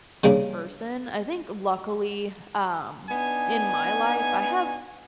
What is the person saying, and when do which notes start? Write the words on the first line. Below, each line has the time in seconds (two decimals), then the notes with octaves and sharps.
person. I think, luckily, um, in my life, I have
0.24 C#3 G3 A#3 D4
3.10 B3 D4 D#4 G#5